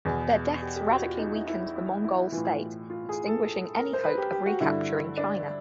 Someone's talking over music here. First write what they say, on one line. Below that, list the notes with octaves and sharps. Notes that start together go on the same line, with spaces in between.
Their deaths radically weakened the Mongol state, extinguishing any hope of recapturing China.
E2 B2 G#4
G4
G4
F#4
F4
D#4
E4
E4
E4
E4
A2 E3 F4
F4
G#4
A4
A#4
C5
B4
G4
G4
F#4
G2 D3 E4
D4